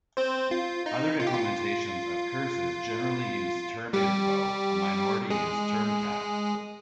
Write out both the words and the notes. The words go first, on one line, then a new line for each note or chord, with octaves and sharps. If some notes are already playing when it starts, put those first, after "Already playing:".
Other implementations of curses generally use terminfo; a minority use termcap.
C4 C5
F4
D#4
F4
G4
F4
G3 G4
G#3 G#4